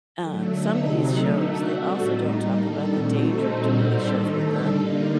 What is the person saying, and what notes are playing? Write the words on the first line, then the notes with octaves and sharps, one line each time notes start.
uh, some of these shows, they also don't talk about the danger of doing these shows with the
D3 F#3 A3
D3 F#3 A3 D#4 A4
C3 F#3 C4 D#4 G4
D3 A3 D#4 A4
A3 D4 F#4 A#4
G3 C4 F#4 A4
A2 A3 D#4
G3 A#3 D#4
D#3 G3 D4 A4
A#2 A3 C4 F#4
D3 A3 D#4 A4 C5
A#2 G3 C4 D#4 F#4
A2 G3 D4 A4 C5
C3 D#3 A3 D#4
D3 G3 D4 A4
D3 G3 A#3 D#4